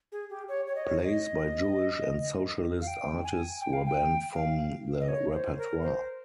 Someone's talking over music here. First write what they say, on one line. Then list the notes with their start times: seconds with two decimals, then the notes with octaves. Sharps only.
Plays by Jewish and socialist artists were banned from the repertoire.
0.12 G#4
0.30 G4
0.49 C#5
0.67 C#5
0.75 D#5
0.85 C#5
1.04 D#5
2.82 F5
2.87 G5
3.24 G#5
3.61 G5
3.73 F5
3.86 G5
4.34 F5
5.00 D#5
5.08 C#5
5.33 C5
5.57 A#4
5.82 C5